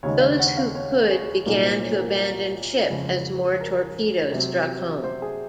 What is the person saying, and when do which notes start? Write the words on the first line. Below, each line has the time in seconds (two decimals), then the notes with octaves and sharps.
Those who could began to abandon ship as more torpedoes struck home.
0.03 D#2 C#3 G#3 D#4 C#5
0.20 F5
0.39 F#5
0.57 F5
0.75 C#5
1.11 G#4
1.46 C2 A#2 F#3 A#3 D#4 A#4
1.64 C5
1.82 C#5
2.01 A#4
2.18 A#4
2.90 F2 C#3 G#3 C#4
3.60 A#4
4.32 C3 F#3 C4
5.04 C5
5.22 G#4